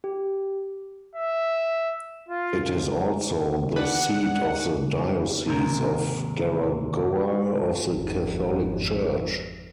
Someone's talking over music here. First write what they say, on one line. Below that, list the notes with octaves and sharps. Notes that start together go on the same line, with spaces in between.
It is also the seat of the Diocese of Garagoa of the Catholic Church.
G4
E5
F4
D4 B4 F#5
D#2 G#2 C3 A#4
G#1 F2